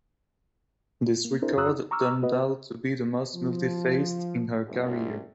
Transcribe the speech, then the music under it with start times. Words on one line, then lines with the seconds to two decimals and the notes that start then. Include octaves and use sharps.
This record turned out to be the most multifaced in her career.
1.25 A#3
1.42 C4 D4 E4 G#4 A#4 C5
1.57 F#2 F#4 A#5 D#6 E6 F#6
1.69 D#4
1.91 A#5 C#6 D6 E6 F6
2.22 B3 F#4 B4 D#5
3.35 F3
4.65 F#1 C2